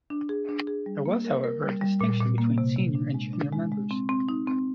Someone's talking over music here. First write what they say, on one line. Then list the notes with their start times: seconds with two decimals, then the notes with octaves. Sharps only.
There was, however, a distinction between senior and junior members.
0.10 D4
0.29 G#4
0.49 D4
0.67 G#4
0.86 G3
1.06 A#3
1.25 A#4
1.44 A#4
1.63 G3
1.81 G3
2.01 A#2
2.20 A#2
2.38 A#3
2.58 C3
2.76 C3
2.95 D4
3.14 G#3
3.33 D4
3.52 G#3
3.72 G#3
3.91 C4
4.09 C4
4.29 D#4
4.47 C4